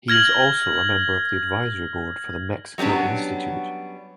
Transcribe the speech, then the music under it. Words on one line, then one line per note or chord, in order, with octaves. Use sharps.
He is also a member of the advisory board for the Mexico Institute.
F6 G#6 A#6 F#7
F#3 G3 B3 C#4 D4